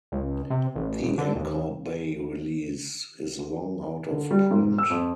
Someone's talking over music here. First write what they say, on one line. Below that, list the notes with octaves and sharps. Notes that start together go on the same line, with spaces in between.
The Anchor Bay release is long out of print.
C#2
C3
A1
E1
D3
D#2
D3
G3
G#2
E6
F2